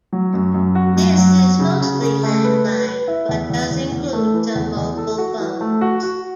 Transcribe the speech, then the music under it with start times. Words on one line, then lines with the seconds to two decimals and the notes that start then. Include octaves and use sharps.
This is mostly landlines, but does include some mobile phones.
0.13 F#3
0.34 F#2
0.54 F#2
0.75 F#4
0.97 F#2
1.18 F#3
1.39 F#4
1.60 C#3
1.81 C#3
2.02 C#3
2.23 A3
2.44 B4
2.65 B4
2.86 B4
3.08 E4
3.29 E2
3.50 E2
3.71 E2
3.92 E2
4.13 A3
4.34 E3
4.55 E2
4.76 E2
4.97 A4
5.18 F#4
5.40 E3
5.61 A3
5.81 F#4
6.03 F#4